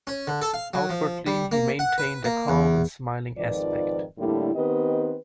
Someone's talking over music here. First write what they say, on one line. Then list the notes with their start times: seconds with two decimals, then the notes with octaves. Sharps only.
Outwardly, he maintained a calm and smiling aspect.
0.07 C#4
0.27 D3
0.42 A4
0.54 F5
0.74 F#3
0.89 F3
1.27 G3
1.52 A#3
1.79 F#5
1.98 B4
2.24 A#3
2.48 E2
3.37 F2 G#2 D#3 F3 B4 D5
4.19 A2 D3 G3 A#3 E4
4.54 D#3 B3 C4 G4 B4 D#5